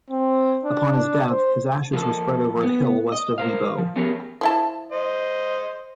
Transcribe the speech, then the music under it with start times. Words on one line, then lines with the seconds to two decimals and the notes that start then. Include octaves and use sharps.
Upon his death, his ashes were spread over a hill west of Wibaux.
0.11 C4
0.64 D4
0.95 D4
1.30 C5
1.93 F3 A#3 A4
2.63 B3
3.12 D#5
3.38 A#4 C5 F5
3.78 F3
3.96 A3 B3 C#4 G4 G#4 A#4
4.41 F3 E4 A5
4.92 C5 D#5